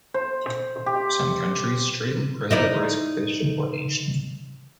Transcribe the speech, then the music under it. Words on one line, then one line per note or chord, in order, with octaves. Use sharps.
Some countries straightly prohibit risk fish importation.
C5
G4
D#4 E4 D5